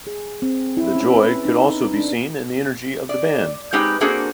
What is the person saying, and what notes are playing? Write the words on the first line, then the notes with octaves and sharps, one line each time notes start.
The joy could also be seen in the energy of the band.
G#4
C4
E4
C#4
B4
D#4
D4
D5
G#3 C4 D#4 G4 B4 G5
A#3 C4 D4 F#4 G#4 A4